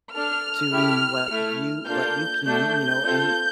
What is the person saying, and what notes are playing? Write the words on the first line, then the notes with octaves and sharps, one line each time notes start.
doing what you what you can, you know, and
D4 A4 F6
A3 E4 G4
A3 E4 A4
A#3 D4 F4 A4 G6
A3 D4 A4 G6
C4 F4 A4